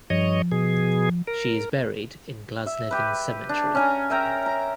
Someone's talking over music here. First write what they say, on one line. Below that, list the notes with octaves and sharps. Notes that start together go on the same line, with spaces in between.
She is buried in Glasnevin Cemetery.
G2 F3 C#5 D#5
B2 G#4
A#4
E5
G4 B4
D4
C#4 G#5 A#5
A#4 E5 G5 A#5
A#5